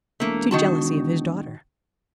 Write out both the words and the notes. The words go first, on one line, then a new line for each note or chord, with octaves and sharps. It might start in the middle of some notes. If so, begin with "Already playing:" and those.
"To jealousy of his daughter."
E1 A3 A#3
D#3 F#4 A5